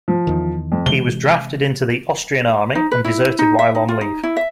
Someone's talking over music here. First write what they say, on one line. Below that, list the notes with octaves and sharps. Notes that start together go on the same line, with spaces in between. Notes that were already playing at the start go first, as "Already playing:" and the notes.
He was drafted into the Austrian Army, and deserted while on leave.
F3
E2 D#3
F2
C3 E3 G#3 G7
D#4
B4
E4
D#4
E5
D#4
F4
D#4
E4
E5